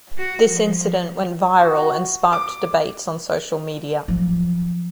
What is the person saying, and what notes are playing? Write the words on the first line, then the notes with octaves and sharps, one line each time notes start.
This incident went viral and sparked debates on social media.
F#4
F3
F#4
D6
F3 F#3